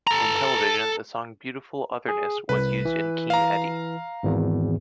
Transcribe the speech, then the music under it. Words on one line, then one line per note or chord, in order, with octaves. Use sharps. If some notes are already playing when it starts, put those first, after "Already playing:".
In television, the song "Beautiful Otherness" was used in Keen Eddie.
A4 A#5
G#4
C2 B4
E3
F5 A#5
G#1 E2